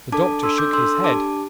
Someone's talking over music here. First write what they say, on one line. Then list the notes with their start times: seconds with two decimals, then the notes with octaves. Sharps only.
The doctor shook his head.
0.12 D4 A4 A5 D6
0.43 D4 A4 C6 E6
0.58 D6 G6
0.73 D4 A4 C6 E6
1.04 D4 G4 A5 D6